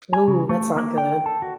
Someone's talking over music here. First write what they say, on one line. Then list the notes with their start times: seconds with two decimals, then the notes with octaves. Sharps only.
Ooh, that's not good.
0.13 G#5
0.27 C#3
0.49 A3
0.76 A#3
0.98 G5
1.26 A4
1.42 F#4